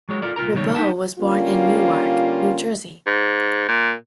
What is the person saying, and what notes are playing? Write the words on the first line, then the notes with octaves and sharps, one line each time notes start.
Ribot was born in Newark, New Jersey.
F#3 G#3 C#5
F4 A4 A#4 D5
C2 F4 A#4 A#5
C#2 B2 D#3 G3 C#5
B3 D#4 G4 A5
D3 G3 A#3 C#4 F4
G#2
A#2